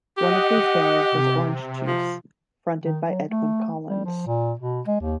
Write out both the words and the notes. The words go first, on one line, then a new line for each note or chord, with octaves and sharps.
One of these bands was Orange Juice, fronted by Edwyn Collins.
G4 D#5 F#5
C3
F3
D#3
F#3
A3
G3
F3
A#2
B2
G#3
D#2